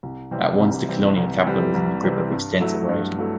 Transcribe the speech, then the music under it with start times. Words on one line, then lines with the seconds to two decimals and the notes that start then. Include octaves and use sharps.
At once, the colonial capital was in the grip of extensive rioting.
0.03 C2
0.31 C3 E3 G3 C4
0.60 C2
0.88 C3 E3 G3 C4
1.17 C2
1.46 C3 E3 G3 C4
1.74 C2
2.03 C3 E3 G3 C4
2.32 G2
2.61 F#3 A3 E4
2.89 G2
3.19 F#3 A3 E4